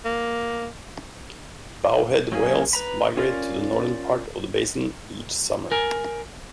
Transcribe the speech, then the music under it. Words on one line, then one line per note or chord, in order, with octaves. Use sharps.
Bowhead whales migrate to the northern part of the basin each summer.
A#3
F#3 A#3 C#4 G#4
B4 A#5 B5
C#4 F4 A#4 D5
A#4 G#5